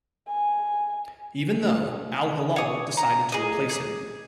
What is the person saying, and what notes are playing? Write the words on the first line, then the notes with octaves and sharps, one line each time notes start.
Even though, Al-Hilal decided to replace him.
G#5
C#5 D#6
A#5
G#4 D#5
G#4